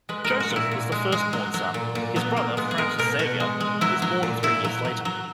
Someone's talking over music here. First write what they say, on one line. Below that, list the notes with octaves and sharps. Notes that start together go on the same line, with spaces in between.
Joseph was the first-born son, his brother Francis Xavier was born three years later.
G#3 B4
A#4
G#3
F#4
A#2
E4
A#2
G#3
G#3
F#3
F#3
A#2
A#2
F#3 B3
F#3 A#3
G#3 B3
G#4
G#3 A#4
B2 A#4
B2 F#4
G#3
G#3
F#3 E4
F#3
A#2
A#2 E4
F#3
F#3
F#3